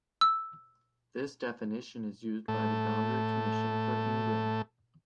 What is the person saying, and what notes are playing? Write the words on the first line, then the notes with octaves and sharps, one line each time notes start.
This definition is used by the Boundary Commission for England.
E6
A2 A3